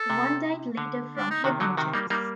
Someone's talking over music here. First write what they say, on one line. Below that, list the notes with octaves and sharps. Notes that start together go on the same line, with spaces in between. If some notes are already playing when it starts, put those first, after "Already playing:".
One died later from head injuries.
Already playing: A4
C3
D3
D4
D#4
C3 D#3 F#4
D3 F#3 D#4
C3 D#3 F#4
G3 A#3 D#4
G3 A#3 D#4